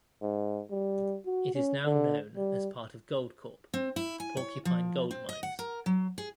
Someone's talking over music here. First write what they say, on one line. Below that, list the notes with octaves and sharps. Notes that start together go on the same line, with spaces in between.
It is now known as part of GoldCorp - Porcupine Gold Mines.
G#2
G3
F#4
C#4
D3
G3
C4
E4
G#5
C#5
F3
C4
D#5
F#5
A#4
F#3
G#4